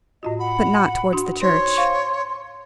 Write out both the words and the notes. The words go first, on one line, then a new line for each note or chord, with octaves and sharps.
But not towards the church.
A2 F4 F#4 D#5
F#5 B5
D4 F#4 C6
D#4 C5 C#5 C6
C5 F5 C#6